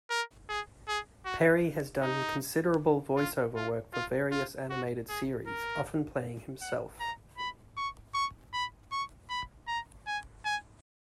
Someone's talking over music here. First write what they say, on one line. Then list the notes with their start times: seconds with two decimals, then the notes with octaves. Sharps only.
Perry has done considerable voice-over work for various animated series, often playing himself.
0.10 A#4
0.49 G#4
0.88 G#4
1.25 F#4
2.02 D#4
3.17 F4
3.56 F4
3.94 F4
4.32 F4
4.70 F#4
5.09 G#4
5.47 A#4
6.61 F#5
7.00 A#5
7.38 B5
7.77 C#6
8.14 C#6
8.53 B5
8.92 C#6
9.30 B5
9.68 A#5
10.07 G#5
10.45 G#5